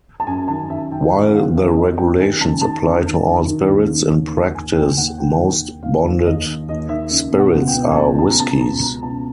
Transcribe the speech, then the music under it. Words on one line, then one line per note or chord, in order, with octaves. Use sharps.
While the regulations apply to all spirits, in practice, most bonded spirits are whiskeys.
A5
F#2 G#5
D#3 A5
F#2 E5
D#3 G5
F#2 F#5
D#3 F5
F#2 E5
D#3 D#5
F#2 G5
D#3 G#5
F#2 A5
D#3 A5
F#2
D#3
F#2
D#3
D#2
D#3
D#2
D#3
D#2 G#5
D#3 G5
D#2 F#5
D#3 G5
D#2
D#3
D#2 F5
D#3
D#2 D#5
D#3
D#2 D#5
D#3 E5
C#2
B2
F#5
C#2
G5
B2
G#5
C#2 A5
B2 A5
A#5
C#2 A5
B2 A#5
C#2 A#5
B2 A5